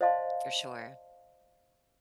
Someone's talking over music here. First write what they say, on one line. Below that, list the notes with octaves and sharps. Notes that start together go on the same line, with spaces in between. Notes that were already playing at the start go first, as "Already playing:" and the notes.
For sure.
C5 D5 D#5 F5 A5 C6